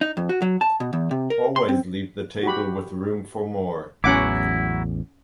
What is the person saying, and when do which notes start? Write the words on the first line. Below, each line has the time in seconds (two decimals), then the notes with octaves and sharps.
Always leave the table with room for more.
0.01 D#4
0.17 F2
0.29 F#4
0.42 F#3
0.61 A5
0.80 B2
0.93 E2
1.11 C3
1.30 A#4
1.56 C6
1.69 C4
2.43 F#4 G4 B5
4.04 A1 E2 F#3 C#4 E4 F#5 D6